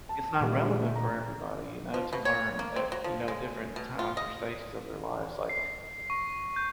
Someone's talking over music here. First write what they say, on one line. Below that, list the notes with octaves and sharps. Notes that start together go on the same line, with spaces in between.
it's not relevant for everybody, you know, to learn at, you know, different times or stages of their lives, like,
A5
A#2 D#3 G3 A3
D3 G3 G#3
A3
A#5
F3
B2
C#5
A#3
C4
F#3
F3
G#3
B2
F4
D#5
C7
C#6
G6